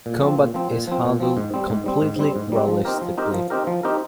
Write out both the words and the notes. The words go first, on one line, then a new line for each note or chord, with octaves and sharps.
Combat is handled completely realistically.
A#2
F3 C4
A#2
F3 C4
A#2
F3 C4
A#2
F3 C4
G#2
G3 C4
G#2
G3 C4
G#2
G3 C4
G#2
G3 C4
F3
C4 D#4 G4 A#4
F3
C4 D#4 G4 A#4
F3
C4 D#4 G4 A#4
F3
C4 D#4 G4 A#4